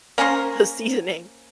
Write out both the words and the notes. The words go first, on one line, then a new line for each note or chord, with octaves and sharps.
the seasoning.
A#3 C#4 A#4 C5